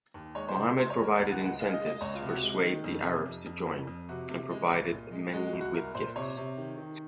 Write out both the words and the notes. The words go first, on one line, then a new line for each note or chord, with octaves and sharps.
Muhammad provided incentives to persuade the Arabs to join, and provided many with gifts.
D#2
G#3 C#5
C5
C#3
C5
G#3 C5
C#5
D#2
A#4
C#2 F#5
F#5
G#3
F#5
G#3 F5
D#5
G#3
D#5
C#2 C#5
F4
C3
F#4
G#3
D#3
F2
C3
F2
F2
F2
F2
C3 F#4
C3
G#3
C2
A#2
G#3
G#3 F#4
F#4
C2
F#4
C2 A#4
A#2 C5
C3 C#5
C3
D#3
D#3